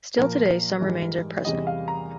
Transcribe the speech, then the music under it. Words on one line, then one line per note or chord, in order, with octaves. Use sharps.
Still today some remains are present.
A#2 F3 A#4
G#2 E3 G3
E2 C3 E3 G3 D#5
F5
A#5